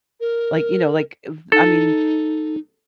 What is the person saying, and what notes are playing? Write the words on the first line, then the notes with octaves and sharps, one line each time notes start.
Like, you know, like, eh, I mean,
A#4
D#4 A4